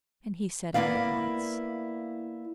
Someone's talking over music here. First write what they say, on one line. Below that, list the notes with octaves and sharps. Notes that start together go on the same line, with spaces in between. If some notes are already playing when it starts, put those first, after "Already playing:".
And he set out at once.
A#3 B3 E4 D5 F5